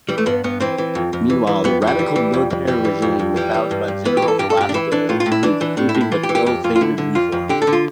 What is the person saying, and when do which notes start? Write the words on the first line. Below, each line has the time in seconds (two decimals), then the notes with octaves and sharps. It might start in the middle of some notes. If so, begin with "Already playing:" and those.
Meanwhile, the radical military regime established by General Velasco instituted sweeping but ill-fated reforms.
0.09 E3 G3
0.18 A3
0.26 G2 B3
0.44 G2 B3
0.60 E3 C4
0.78 E3
0.95 F2
1.13 F2
1.30 E3
1.47 E3
1.64 F2 B3
1.82 F2
1.87 G3
1.99 E3
2.16 E3
2.34 F2
2.51 F2
2.67 E3 G3
2.85 E3
3.02 F2
3.19 F2
3.36 E3 G3
3.54 E3
3.71 G2
3.88 G2
4.05 E3 B3
4.17 G4
4.22 E3
4.28 A4
4.39 G2 G4
4.50 A4
4.57 G2 G4
4.69 D4
4.74 E3 E4
4.92 E3 D4
5.09 A2 F4
5.20 F4
5.26 A2
5.32 E4
5.43 E3 D4
5.61 E3
5.77 A2 D4
5.89 E4
5.95 A2
6.01 E4
6.12 E3 F4
6.23 G4
6.29 E3
6.35 G4
6.46 F2 G4
6.64 F2 F4
6.76 F4
6.81 D3 E4
6.98 D3
7.15 F2 F4
7.32 F2
7.49 D3 G4
7.62 A4
7.67 D3
7.73 F4